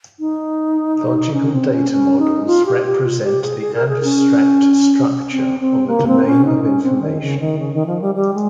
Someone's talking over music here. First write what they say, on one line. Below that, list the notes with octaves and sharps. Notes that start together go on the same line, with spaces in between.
Logical data models represent the abstract structure of a domain of information.
D#4
C#4
C4
C#4
C#4
D#4
F4
G4
G4
F4
G4
G#4
G#4
A#4
G#4
C#4
C4
C4
A#3
C4
C#4
D#4
C#4
C4
D#3
C#3
D#3
C#3
D#3
F3
G3
G3
G#3